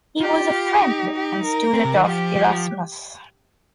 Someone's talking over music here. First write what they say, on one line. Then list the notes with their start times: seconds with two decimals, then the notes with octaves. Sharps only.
He was a friend and student of Erasmus.
0.20 F4 G4
0.51 F4
0.82 D#4
1.13 G4
1.43 A#4
1.74 C4
1.84 C3
1.95 D#3
2.05 F3 G4
2.35 F3